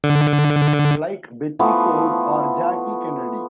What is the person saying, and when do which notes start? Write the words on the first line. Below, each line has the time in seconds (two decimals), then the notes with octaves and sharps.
Like Betty Ford or Jackie Kennedy.
0.04 D3
1.59 E3 F3 A3 B3